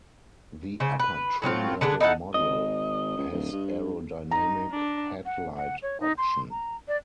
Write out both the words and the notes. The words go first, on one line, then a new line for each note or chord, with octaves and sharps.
The upper trim level model has aerodynamic headlight option.
C#3 C5
B4
A2 F#3 C4 F4
D3 B3 D4 G#4
D#4 E4 A4 F#5
G#1 D#5
C#2
D1
G2
D#4 A#5
D4
F#5
F#5
C#5
D#4
C6
A#5
D5